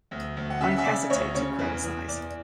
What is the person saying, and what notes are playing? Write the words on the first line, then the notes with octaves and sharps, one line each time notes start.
I hesitate to criticise.
D2
D2
F#5
C#3 E5
F#5
E5
C#3 D5
D2 C#5
C#3 C#5
E2 B4
E2
E2 D5